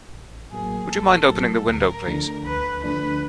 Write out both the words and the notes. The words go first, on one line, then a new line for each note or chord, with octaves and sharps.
Would you mind opening the window, please?
A1
A2 F#3 A#3 G#4
A1 A4
A2 F#3 A#3
D2 A#4
D3 F3 A3 D4
D2 B4
D3 F3 A3 D4 B4